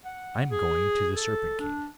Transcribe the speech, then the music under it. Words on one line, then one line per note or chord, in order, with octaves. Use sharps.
'I am going to the Serpent King.'
F#5
G#4
A4
D4